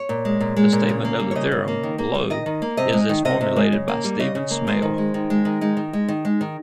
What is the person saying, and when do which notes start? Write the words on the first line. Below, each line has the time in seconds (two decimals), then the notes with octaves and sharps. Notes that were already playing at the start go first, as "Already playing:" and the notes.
The statement of the theorem, below, is as formulated by Stephen Smale.
Already playing: C#5
0.09 A#2
0.25 G#3
0.40 A#2
0.56 G#3
0.72 A#2
0.89 C#3
1.05 A#3
1.20 G3
1.31 C#5
1.35 C#3 D#5
1.52 C#3
1.68 A#3
1.83 D#3
1.98 A#3
2.14 G3
2.30 D#3 D#5
2.46 D#3
2.62 A#3
2.77 C3 D#5
2.93 G#3
3.09 D#3
3.25 C3 D#5
3.41 C3
3.56 G#3
3.72 C#3
3.88 A#3
4.04 G3
4.20 C#3 D#5
4.35 C#3
4.51 A#3
4.67 G#3 C5
4.82 D#3
4.98 G#3
5.14 D#3
5.30 G#3
5.45 D#3
5.61 G#3 D#4
5.77 D#3
5.93 G#3
6.08 D#3
6.25 G#3
6.41 D#3